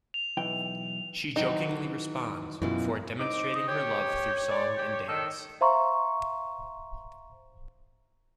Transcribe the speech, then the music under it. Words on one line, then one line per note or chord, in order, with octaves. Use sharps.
She jokingly responds, before demonstrating her love through song and dance.
F7
B1 E3 G5
D#3 E3 F#3 D#4
F#2 B2 E3 E4 F4
C4 D#4 D6
D#5
G4 C#5
D5
G4
D#3 A4
C5 E5 F5 A#5 C6 C#6